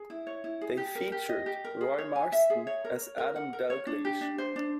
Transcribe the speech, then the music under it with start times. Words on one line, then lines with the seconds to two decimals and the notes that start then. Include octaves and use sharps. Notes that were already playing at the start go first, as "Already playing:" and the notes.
They featured Roy Marsden as Adam Dalgliesh.
Already playing: G#4
0.10 E4
0.27 C#5
0.44 E4
0.61 G#4
0.77 G4
0.95 A#4
1.12 G4
1.29 D#5
1.46 G4
1.64 A#4
1.81 G#4
1.98 C#5
2.16 G#5
2.32 E5
2.50 G#4
2.67 C#5
2.85 A#4
3.01 C#5
3.18 A#4
3.36 F#5
3.53 A#4
3.70 C#5
3.87 D4
4.05 G4
4.21 D4
4.38 C5
4.56 D4